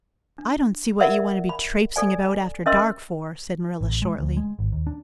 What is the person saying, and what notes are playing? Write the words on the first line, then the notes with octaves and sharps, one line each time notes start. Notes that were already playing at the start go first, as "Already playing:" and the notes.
"I don't see what you want to be traipsing about after dark for," said Marilla shortly.
D4
A#4 D5 E5 F#5 B5
B5
A4 D5 G#5
C#4 A#4 D#5 E5 C6 E6
A1
G#3
D2
G#3
G#1
D#2
D4